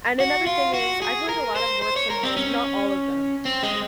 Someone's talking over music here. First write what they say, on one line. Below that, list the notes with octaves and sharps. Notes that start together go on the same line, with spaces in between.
and another thing is I feel like a lot of work from home not all of them,
F#4
F4
F#4
G#4
A#4
C5
C5
C#5
A#4
C4
C#4
C4
G#3